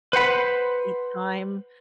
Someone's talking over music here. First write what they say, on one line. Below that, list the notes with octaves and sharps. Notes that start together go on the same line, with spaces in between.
each time,
B4 C5 F#5 B5